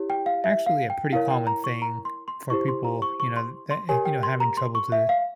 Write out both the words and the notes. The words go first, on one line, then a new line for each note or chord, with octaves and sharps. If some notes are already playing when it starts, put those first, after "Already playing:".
actually a pretty common thing for people, you know, that, eh, you know, having trouble to
Already playing: E4 G4 C#5
G5
F5
E5
F5
G5
E4 A#4 C#5 F5
G5
A#5
C#6
A#5
C6
C6
E4 G4 C5 C#6
C6
A#5
C#6
C#6
C6
C6
G4 A#4 C#5 G#5
G5
C6
A#5
C6
C#6
E5
F5